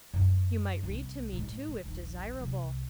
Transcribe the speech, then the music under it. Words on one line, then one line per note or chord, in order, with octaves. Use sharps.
You might read to me, too, if desirable.
F#2 G#3
C2
A2 G#3
C#3
D#1 A#1
C2